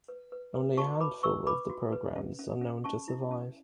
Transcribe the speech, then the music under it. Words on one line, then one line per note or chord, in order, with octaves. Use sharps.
Only a handful of the programmes are known to survive.
B4
B4
B4
F#4 A5 C#6
B4 B5 D6
B4 C#6 E6
B4 B5 D6
F#4
B4
C#4
C#4
C#4
C#4 A5 C#6
E4
C#4